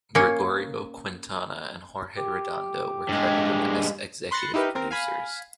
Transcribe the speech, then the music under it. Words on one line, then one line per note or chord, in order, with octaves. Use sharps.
Gregorio Quintana and Jorge Redondo were credited as executive producers.
A#3 C#4
G4
G2 G#3
B5 C6 F#6 A6 A#6 C#7
D#4 E4 G4 A#4 B4
C4 A#4
F5 G#5 B5